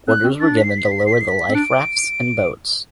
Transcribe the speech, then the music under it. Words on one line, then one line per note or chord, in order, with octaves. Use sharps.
Orders were given to lower the liferafts and boats.
C4 F#6
C4
D4 A6
B6
C7
B6
C7
B6
C7
B6
C7
B6
C7
B6
C4
D4 D7